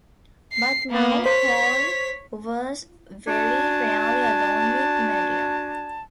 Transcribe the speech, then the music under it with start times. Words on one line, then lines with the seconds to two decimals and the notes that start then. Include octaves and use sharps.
But now Paul was very rarely alone with Miriam.
0.53 C7
0.91 A#3 B3
1.26 C5 C#5 B6
3.27 D4 F#4 G#5 A5